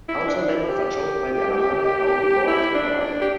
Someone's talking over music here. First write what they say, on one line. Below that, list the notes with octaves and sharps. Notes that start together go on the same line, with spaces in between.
Council members are chosen by the Alameda County Board of Supervisors.
E4
D4
E4
G4
E4
D4
D4
G4